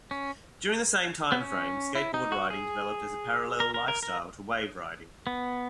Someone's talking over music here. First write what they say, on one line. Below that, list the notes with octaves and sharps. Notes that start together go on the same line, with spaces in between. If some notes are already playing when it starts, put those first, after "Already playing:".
During the same time-frame skateboard riding developed as a parallel lifestyle to wave riding.
C#4
B3
C#4
E4
D#4
F#4
G#4
A#4
A#4
A#4
A#4
B3